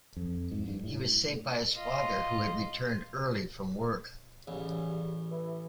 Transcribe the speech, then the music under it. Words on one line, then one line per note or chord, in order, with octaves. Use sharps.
He was saved by his father, who had returned early from work.
F2
G#2
G2
A2
F4 D#5
A1 C#3 G3
E3